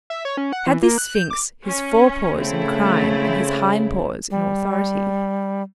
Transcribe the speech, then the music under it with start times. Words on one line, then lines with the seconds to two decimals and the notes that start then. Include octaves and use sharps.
Had this sphinx his fore paws in crime and his hind paws in authority?
0.10 E5
0.25 C#5
0.37 C#4
0.52 F#5
0.67 E3
0.83 A#3
0.98 F#6
1.15 G6
1.30 D6
1.65 C#4
2.37 C#3 A3 C4 E4
4.30 G3